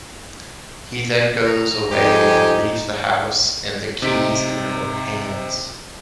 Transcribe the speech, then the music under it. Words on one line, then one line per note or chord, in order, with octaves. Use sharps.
He then goes away and leaves the house and the keys in her hands.
A#5
F2 D#4 G4 G#5
C3 D#4 B6 D7